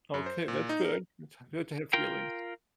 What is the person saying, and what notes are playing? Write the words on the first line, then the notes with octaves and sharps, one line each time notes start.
Okay, that's good. That's good to have feelings.
F#2
C5
A#2
D#4
A#4
F4 A#4 G5